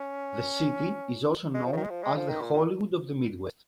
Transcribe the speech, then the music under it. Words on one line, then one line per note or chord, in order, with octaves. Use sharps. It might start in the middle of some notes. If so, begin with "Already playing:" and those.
The city is also known as the Hollywood of the Midwest.
Already playing: C#4
G#3
F3
C#3
D#3
G#3
F3
G#3
F3
D#3
A#2
A#2